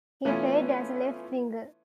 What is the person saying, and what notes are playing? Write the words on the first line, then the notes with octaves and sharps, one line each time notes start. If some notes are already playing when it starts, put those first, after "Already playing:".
He played as a left winger.
E3 A3 B3 C#4 E4 F4